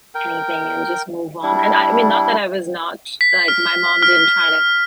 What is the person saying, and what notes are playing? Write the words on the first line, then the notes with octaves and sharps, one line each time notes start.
anything and just move on, and I I mean, not that I was not like, my mom didn't try to
A#4 G5
G3 D4 E4
B6
F6
F6